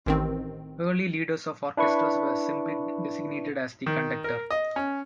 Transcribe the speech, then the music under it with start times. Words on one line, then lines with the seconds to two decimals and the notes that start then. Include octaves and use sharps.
Early leaders of orchestras were simply designated as the conductor.
0.06 A1 D#3 C4
1.77 D4 E4 B4 C#6
3.86 D#3
4.24 A#4
4.50 D#5
4.76 C#4